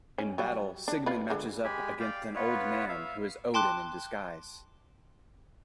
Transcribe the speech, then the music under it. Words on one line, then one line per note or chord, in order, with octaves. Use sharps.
In battle, Sigmund matches up against an old man who is Odin in disguise.
C#4
F#3 G3
D4
F4 B4
D3 G#3
G#3 G4 G#5 B5
D5 F5 G5
B3 F4 B4 C#5
E5 F5
G5 A5 C6 D6 F#6